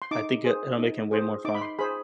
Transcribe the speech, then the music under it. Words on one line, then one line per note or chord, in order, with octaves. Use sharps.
I think it it'll make him way more fun.
C6
D#4 D6
G#4 C5
D#4
G#4 C5
D#4 D6
B5
C6
G#4 C5 B5